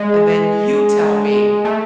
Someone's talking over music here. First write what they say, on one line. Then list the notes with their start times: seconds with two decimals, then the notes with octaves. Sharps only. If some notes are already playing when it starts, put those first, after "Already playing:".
and then you tell me
Already playing: G#3
1.65 A3